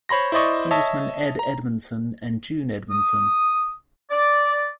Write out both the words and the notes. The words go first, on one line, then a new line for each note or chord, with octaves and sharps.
Congressman Ed Edmondson and June Edmondson.
C5 C#5 B5 C6 A#6
E4 C5 D5 D#5 C#6
C#5 D#5 E5 A5
A#5
D#6
D5